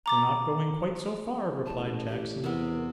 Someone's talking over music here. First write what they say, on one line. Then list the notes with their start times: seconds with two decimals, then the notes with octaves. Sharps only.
'We're not going quite so far,' replied Jackson.
0.06 A#5 D6 A6
1.66 A1 A5
2.08 G4
2.44 E2 C3 E3 B3 A#4